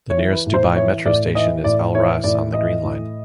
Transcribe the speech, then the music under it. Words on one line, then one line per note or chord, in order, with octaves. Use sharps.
The nearest Dubai Metro station is Al Ras on the Green Line.
C#5
E3
B4
A2
C5
E3 C#5
A2 D5
E3 D#5
A2 D5
E3 C#5
A2 D5
E3 D#5
A2